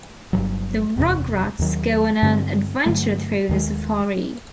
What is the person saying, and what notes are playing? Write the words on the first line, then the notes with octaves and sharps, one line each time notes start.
The Rugrats go on an adventure through the safari.
G1 G2 D#3 F#3
F#1 E2 C3
D#2 D#3 F#3
G2 D3 G3 C4
G2 D3 F#3 A3
D#2 D#3 G#3